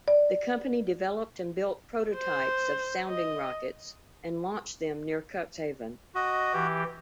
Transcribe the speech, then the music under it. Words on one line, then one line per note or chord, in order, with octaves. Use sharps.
The company developed and built prototypes of sounding rockets and launched them near Cuxhaven.
D5
C5
D#5
F#4 D#5
E3 G4